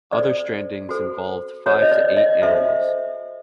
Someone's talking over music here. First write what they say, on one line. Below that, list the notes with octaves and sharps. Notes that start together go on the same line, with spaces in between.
Other strandings involved five to eight animals.
F#4 A4 C5 D5
F#4 A4 C5
F#4 A4 C5 C#5
D#5
D5
D#5
F#4 A4 C5 E5